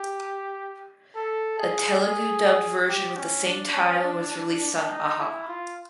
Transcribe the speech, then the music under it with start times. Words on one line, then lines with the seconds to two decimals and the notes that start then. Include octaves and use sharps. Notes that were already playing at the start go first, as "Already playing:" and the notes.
A Telugu dubbed version with same title was released on Aha.
Already playing: G4
1.16 A4
1.59 G#4
2.02 G#4
2.88 G4
3.17 C#4
3.46 D4
3.74 C#4
4.03 D4
4.32 D4
4.61 D4
4.90 D#4
5.19 E4
5.48 F4